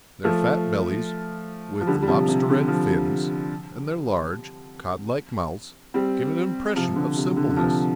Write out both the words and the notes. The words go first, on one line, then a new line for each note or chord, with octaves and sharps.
Their fat bellies with the lobster-red fins, and their large, cod-like mouths, give an impression of simpleness.
F3 A3
F3
D3 G3
G3
C3 F3
C3
D3
C3 F3
G3 C4
C3 F3
D3
C3
D3
D3
C3 F3